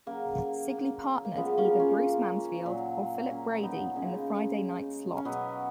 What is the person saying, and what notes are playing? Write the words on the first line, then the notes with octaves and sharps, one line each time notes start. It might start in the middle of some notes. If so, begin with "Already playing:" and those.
Sigley partnered either Bruce Mansfield or Philip Brady in the Friday night slot.
C#3 F#3 A#3
A#3
C#3 F3 G#3 B3
A#3 C#4
C#4 F4
A#2 F#3
A#3 C#4
B3 D#4
C#3 G#3 A#3 C#4
C#4
B2 F#3 B3